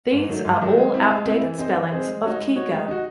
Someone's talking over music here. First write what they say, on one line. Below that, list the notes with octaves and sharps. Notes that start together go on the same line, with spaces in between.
These are all outdated spellings of Kiga.
G#2
D#3 F#3 A3
G#2
D#3 F#3 A3
G#3
C4 E4
G#3
C4 E4
E3
C4 D#4 G#4 C5
E3
C4 D#4 G#4 C5
G#3
D#4 F#4 C#5
G#3
D#4 F#4 C#5
G#3
D#4 F#4